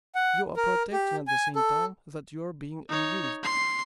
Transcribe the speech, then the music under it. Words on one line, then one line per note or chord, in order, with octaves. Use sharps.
You are protecting at the same time that you are being amused.
F#5
A#4
G4
G#5
A4
D#4 C#5
C6 C7